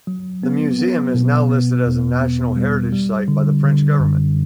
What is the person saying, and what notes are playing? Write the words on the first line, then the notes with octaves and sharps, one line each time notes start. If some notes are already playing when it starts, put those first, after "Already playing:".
The museum is now listed as a National Heritage site by the French Government.
F#3
B3
B3
B2
B3
E2
B3
G3
G3
D3
D3
F#2